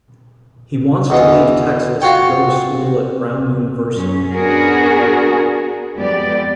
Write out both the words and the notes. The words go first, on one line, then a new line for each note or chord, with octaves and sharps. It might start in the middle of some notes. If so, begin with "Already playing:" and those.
He wants to leave Texas to go to school at Brown University.
E2 B2 E3
F4 F#4 C#5 G5
F#2 C#4
B3 D4 F#4 G#4 A#4
F2 G#3 B3 G4 D5